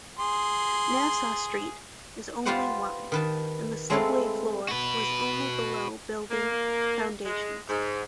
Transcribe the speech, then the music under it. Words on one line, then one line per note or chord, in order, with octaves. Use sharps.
Nassau Street is only wide, and the subway floor was only below building foundations.
G#4 C6
F4 G4 B4 C5 D5 F#5
D#3 B4 A5
G#3 A3 C4 A4 B4 F5
F#4 B4
A#3
G#3
G#2